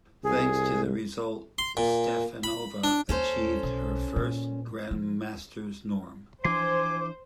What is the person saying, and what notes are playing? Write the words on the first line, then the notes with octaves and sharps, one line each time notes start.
Thanks to this result Stefanova achieved her first Grandmaster norm.
C2 G#4
C6
A#2
B5
D4
D#2 C#4 A4 C5
B1
A#2
F3
E3 F3 D4 C5 G#5 C6 D6